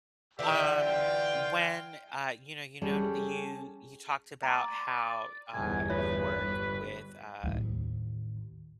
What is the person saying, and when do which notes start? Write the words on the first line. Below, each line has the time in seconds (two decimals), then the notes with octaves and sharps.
Um, when, uh, you know you know you you talked about how, uh, you work with, uh,
0.39 D3 E3 G4 E5
0.79 F4 F5 G5
2.81 G3 C#4 G#4 A4
4.43 D5 A#5 C6
5.54 G1 E2 G#5
5.89 F4 B4 C#5 E5
6.36 G1
7.43 A1 D#2